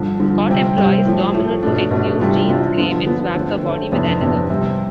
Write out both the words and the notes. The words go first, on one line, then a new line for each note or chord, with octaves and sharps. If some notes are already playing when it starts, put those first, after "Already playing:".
Scott employs Domino to exhume Jean's grave and swap her body with another.
Already playing: G2 D3 F3
G2 D3 F3
C3 G3 C4 G4
C3 G3 C4 G4
A2 F3 A3
A2 F3 A3
B2 A3 D4
B2 A3 D4
C3 E3 G3 D4 F4
C3 E3 G3 D4 F4
D3 F3 B3
D3 F3 B3
D3 A3 C4
D3 A3 C4
F2 C3 E3 B3 D4
F2 C3 E3 B3 D4
C3 G3 C4